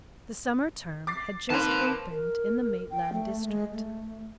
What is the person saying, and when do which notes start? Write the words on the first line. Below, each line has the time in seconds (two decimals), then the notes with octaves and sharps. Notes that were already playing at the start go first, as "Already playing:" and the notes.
The summer term had just opened in the Maitland district.
1.07 D6 A6 C7
1.50 D#3 A#3 C4 B4 A5 C6
2.10 A#4
2.90 G5
3.13 A3
3.47 G#3
3.74 A3